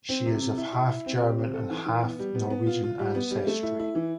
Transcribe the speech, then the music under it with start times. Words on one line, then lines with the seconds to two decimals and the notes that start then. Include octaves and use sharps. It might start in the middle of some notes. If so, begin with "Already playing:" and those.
She is of half German and half Norwegian ancestry.
0.09 C4
0.26 C3
0.41 C3
0.58 E4
0.73 E4
0.89 E4
1.06 C4
1.22 G4
1.39 C4
1.54 A4
1.70 E3
1.86 E3
2.03 B3
2.19 G3
2.35 B3
2.50 B3
2.66 F4
2.83 F4
2.99 G3
3.15 B3
3.31 G3
3.47 A3
3.63 E4
3.79 E4
3.95 E3